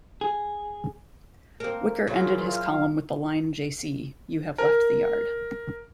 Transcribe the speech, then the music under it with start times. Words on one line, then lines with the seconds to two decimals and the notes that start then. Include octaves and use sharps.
Whicker ended his column with the line Jaycee, you have left the yard.
0.21 G#4
1.60 A#3 C4 A#4
2.07 A#2 C#3 E3 F#3 F4
2.48 F5
4.58 A#4